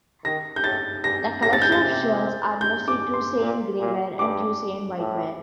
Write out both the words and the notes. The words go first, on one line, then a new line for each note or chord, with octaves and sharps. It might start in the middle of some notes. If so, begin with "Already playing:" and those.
The collection of sherds are mostly Tusayan Gray Ware and Tusayan White Ware.
D#3 A#6
G6
A2 A6
G2 A#6
A2 A#6
A6
G6
A6
C3
G6
D6
C6
A#2
A#2
G2 D6
A2